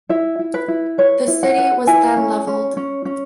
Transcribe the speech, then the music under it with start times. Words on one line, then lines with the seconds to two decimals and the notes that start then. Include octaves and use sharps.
The city was then leveled.
0.09 E4 E5
0.39 E4
0.54 B4
0.68 E4
0.98 B4 C#5
1.28 E4
1.43 F#5
1.58 B4
1.87 E4 G#5
2.17 C#4
2.47 C#4
2.77 C#4
3.05 C#4